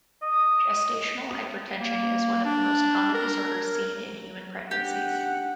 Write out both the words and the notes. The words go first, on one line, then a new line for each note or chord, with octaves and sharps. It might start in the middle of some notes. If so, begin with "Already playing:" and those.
Gestational hypertension is one of the most common disorders seen in human pregnancies.
D#5
A#3
D4
A#4
D4 G4 F#5